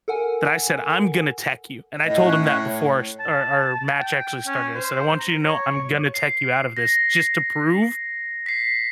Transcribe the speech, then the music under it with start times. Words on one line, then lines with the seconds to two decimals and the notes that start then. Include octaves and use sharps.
that I said, "I'm gonna tech you." And I told him that before our s our our match actually started. I said, "I want you to know I'm gonna tech you out of this, just to prove
0.08 A4 A#4 F#5 G#5
2.05 A2 D#5
2.24 C#4 F#6
2.66 C#5
3.20 A5
3.98 G5
4.47 C#4
4.74 C5
5.19 A#5
5.45 C#5
6.14 C7
6.77 A#6
8.46 B6 C7